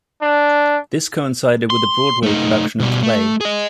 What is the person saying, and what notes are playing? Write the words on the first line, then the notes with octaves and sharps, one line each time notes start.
This coincided with a Broadway production of the play.
D4
C6
A3 D#4
B2 G3
A3
G#4 D#5